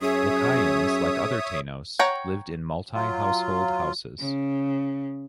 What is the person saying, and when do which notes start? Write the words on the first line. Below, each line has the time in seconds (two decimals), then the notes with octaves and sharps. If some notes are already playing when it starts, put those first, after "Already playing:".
Lucayans, like other Tainos, lived in multi-household houses.
0.01 F#2 G#4 C#5 E5 D#6
1.99 C#5 F#5 G5 A#5
2.94 F#3 F4
4.19 C#3